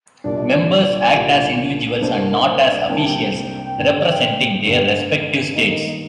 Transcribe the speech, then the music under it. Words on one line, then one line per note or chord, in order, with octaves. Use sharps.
Members act as individuals and not as officials representing their respective states.
C2 A#2 G3 D4 D5
C2 A#2 G3 D4
C2 C3 G3 A#3 D4 C5
A#4
C5
D5
C2 C3 G3 A#3 D4 G5
A5
G5
G2 D3 G3
G2 D3 G3
D#2 D#3 G3 A#3 D#5